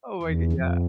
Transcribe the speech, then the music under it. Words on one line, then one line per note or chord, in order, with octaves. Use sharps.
Oh my g Yeah.
E2
F2